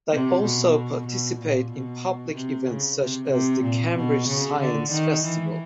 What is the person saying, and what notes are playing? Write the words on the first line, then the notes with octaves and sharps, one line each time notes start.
They also participate in public events such as the Cambridge Science Festival.
C3
B2
B2
A#2
B2
C3
C#3
C3
C3
A#2
B2
C#3
D3
D#3
E3